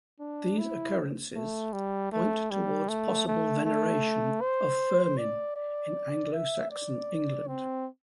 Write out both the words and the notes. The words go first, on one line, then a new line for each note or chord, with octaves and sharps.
These occurrences point towards possible veneration of Firmin in Anglo-Saxon England.
D4
E4
A3
G3
A3
G3
A3
A3
A3
C5
D5
D5
E5
D5
C4